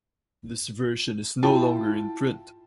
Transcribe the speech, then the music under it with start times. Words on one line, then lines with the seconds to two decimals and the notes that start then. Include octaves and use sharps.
This version is no longer in print.
1.43 E4 F4 G5 A5